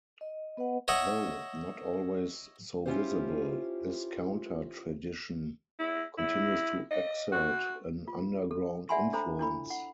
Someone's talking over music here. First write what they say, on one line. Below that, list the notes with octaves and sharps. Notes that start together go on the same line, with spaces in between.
Though not always so visible, this counter-tradition continues to exert an underground influence.
D#5
B3 B4 D#5 F#5
C#5 D#5 E5 F#5
C#4 E4 F4 G4 A4 C5
E4
E4
D#5
F#4
F4
A4
D5 E5 F#5 G#5 B5 C6
D4 A4 C5 A#5 B5
D4 E4 B5
F#5